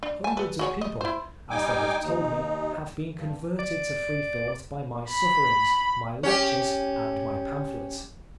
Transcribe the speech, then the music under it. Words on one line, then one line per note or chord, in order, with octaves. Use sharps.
Hundreds of people, as they have told me, have been converted to Freethought by my sufferings, my lectures, and my pamphlets.
D4
G#5 A5
A4 B4
F#4 G#4 C#5
D#5
E4 C5
G3 D#4 G5 G#5 D6
D#2 D#4
G2
D5
B5
C#4 G4